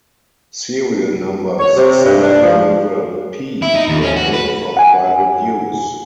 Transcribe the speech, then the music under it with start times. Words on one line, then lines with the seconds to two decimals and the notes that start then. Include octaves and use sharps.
Serial numbers starting with a P were made for private use.
1.60 C#5
1.76 C3
2.04 G2
2.23 D4
2.42 F3
3.62 E4
3.75 D#4
3.89 D#2
4.02 C#4
4.16 F#4
4.33 B4
4.77 F#5 G#5